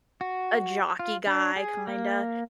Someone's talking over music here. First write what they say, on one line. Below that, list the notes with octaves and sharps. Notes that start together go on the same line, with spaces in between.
a jockey guy kinda,
F#4
F4
D4
G#4
A#3